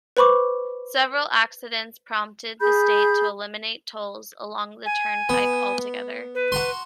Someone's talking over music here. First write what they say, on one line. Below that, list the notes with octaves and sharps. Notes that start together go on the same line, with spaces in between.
Several accidents prompted the state to eliminate tolls along the turnpike altogether.
B4 C5 B5 C#6 D6
G#4 B5 G6
G#5
B3
B4
F#4 A#5 C6